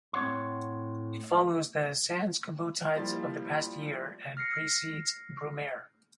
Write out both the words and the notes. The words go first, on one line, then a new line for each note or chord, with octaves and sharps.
It follows the Sansculottides of the past year and precedes Brumaire.
A2 C4 C#5 F#5 C6
F3 G3 A#3 E4 C6 A6
F6 A#6 C7 C#7